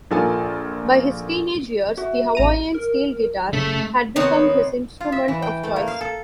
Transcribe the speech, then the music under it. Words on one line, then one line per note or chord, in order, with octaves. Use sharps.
By his teenage years the Hawaiian steel guitar had become his instrument of choice.
A#1 F4 A4 A#4 G#5
F#4 E5
A1 A#5 D#7
A#4
F#1 C#3 A3 A4 B6
D#3 B3 C4 C#5
F4
E5
E3
G5
A3
A#3
F5
A4